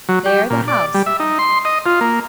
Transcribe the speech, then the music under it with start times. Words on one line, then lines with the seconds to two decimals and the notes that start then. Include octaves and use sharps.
There the house.
0.09 F#3
0.26 G4
0.50 A#2
0.68 D5
0.94 G3
1.06 E5
1.20 D#4
1.39 C6
1.65 D#5
1.86 F4
2.01 A#3